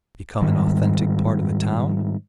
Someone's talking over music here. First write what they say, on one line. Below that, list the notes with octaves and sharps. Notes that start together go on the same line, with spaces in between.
Become an authentic part of the town?
G#2 D#3 G3